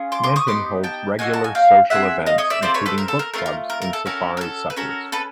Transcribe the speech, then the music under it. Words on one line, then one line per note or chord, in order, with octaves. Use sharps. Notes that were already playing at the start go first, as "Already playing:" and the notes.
Manton holds regular social events including book clubs and safari suppers.
Already playing: C#4 F4 G#4
C6 D6
C6 D6
C#6 D#6
B3 D#4 G4 C6 D6
G5 A5
A#3 D#4 F#4 A4 F#5 G#5
A5
G#5
F5 G5
C4 F4 G#4 E5 F#5
D#5 F5
C#5 D#5
D5 E5
C4 F4 A4 C5 D5
B4 C#5
A4 B4
A#4
A4
A#4
A3 D4 F4 A#4
A#4
A#4
A#4
A4
C#4 F#4 A4 A#4
A#4
A4
B4
C#4 F#4 A4 A#4
A4 B4